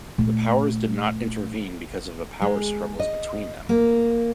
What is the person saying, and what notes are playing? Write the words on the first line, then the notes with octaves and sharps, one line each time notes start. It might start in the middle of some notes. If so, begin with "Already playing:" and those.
The Powers did not intervene because of the power struggles between them.
A#2 A3
G#3
D#5
A#3